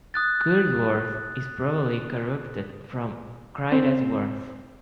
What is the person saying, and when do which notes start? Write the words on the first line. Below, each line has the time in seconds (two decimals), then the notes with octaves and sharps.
Curdworth is probably corrupted from Crida's Worth.
0.14 D#6 F#6 A6
3.72 C4